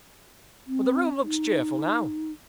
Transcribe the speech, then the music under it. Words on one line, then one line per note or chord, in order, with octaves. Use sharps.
But the room looks cheerful now.
C4
D#4